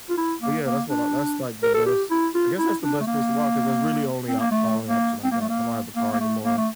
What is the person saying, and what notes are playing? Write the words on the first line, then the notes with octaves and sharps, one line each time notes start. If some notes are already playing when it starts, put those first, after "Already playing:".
but, yeah, that's what I that's like the best I guess that's the best place to walk 'cause that's really only o only option I got, I don't have a car anymore,
F4
E4
A#3
A#3
D4
A#4
A4
G4
E4
F4
E4
D4
A3
A#3
C4
A#3
A3
A#3
C4
A#3
A3
A#3
A#3
A#3
A3
A#3
A3